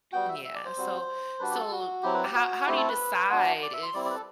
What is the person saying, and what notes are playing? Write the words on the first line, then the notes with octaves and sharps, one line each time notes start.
Yeah. So so how how do you decide if
G3 B3 F#4 G5
E5
E5
D5
C5
G3 C4 F#4
G3 D4 F#4 B4
G4
A4
F#4
F#3 C4 E4 G4
B4
G4
F#4
A3 C4 E4 G4
A4
B4
B3 D4 F#4
D5
E5
C6
G3 C4 E4 D5
B4 D5
A4